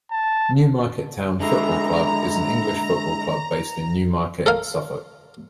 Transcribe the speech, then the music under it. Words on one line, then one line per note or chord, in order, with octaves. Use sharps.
Newmarket Town Football Club is an English football club based in Newmarket, Suffolk.
A5
D3 G#3 E4 A#5
A4 A#4 F5